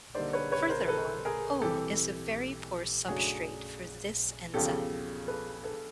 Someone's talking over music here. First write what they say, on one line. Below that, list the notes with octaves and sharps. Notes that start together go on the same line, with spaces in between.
Furthermore, O is a very poor substrate for this enzyme.
D3 G3 A#3 D#4 C5 D5
B4 C#5
B4 C#5
A#4 C5
A4 B4
G#4 A#4
C3 E3 G3 G4 A4
F#2 C#3 F#3 A3 D4 F#4 G#4
E2 C#3 F3 G4 A4
A4 B4
A4 B4